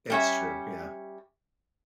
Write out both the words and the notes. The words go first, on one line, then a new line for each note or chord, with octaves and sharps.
That's true, yeah.
G3 C#4 E5